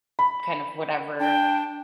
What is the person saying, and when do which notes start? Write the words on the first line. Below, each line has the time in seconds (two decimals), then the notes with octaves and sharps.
kind of whatever
0.19 B5
1.20 D4 G5